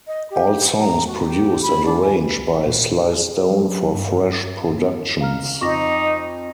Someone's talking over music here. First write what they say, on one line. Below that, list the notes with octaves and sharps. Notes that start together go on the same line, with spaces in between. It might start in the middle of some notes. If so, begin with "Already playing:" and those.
All songs produced and arranged by Sly Stone for Fresh Productions.
D#5
G4
A#5
F#4
G4
B5
D4
G#5
B1
A#2
G#4
F#3
G2
B3
F5 A#5 F6
F2 D#4 C#6 D6 A#6